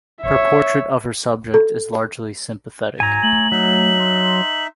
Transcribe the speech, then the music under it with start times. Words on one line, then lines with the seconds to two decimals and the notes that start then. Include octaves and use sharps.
Her portrait of her subject is largely sympathetic.
0.22 C#5 E5
1.54 A4
3.00 G#2 F#3 C#5 G#5 A#5
3.23 A3 F#7
3.52 F#3 D#4 E5
4.00 C6